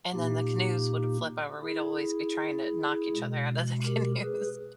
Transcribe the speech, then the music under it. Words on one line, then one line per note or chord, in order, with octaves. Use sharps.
and then the canoes would flip over. We'd always be trying to knock each other out of the canoes
A#2 A#3 D#4 G4
E4 G#4
B2 G#3
G4 A#4
G#4 B4